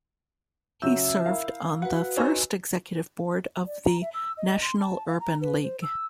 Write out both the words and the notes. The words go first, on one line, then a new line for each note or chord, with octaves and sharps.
He served on the first Executive Board of the National Urban League.
C#3 F#3 E5 E6 G6
E4 A#4 F5
F#4 B4 F#5
D#4 C5 C#5 D#5 G#5 E6
D5
A#5
E5
E6
D#5
C6
A5
F5
A#5
B4
C5
E6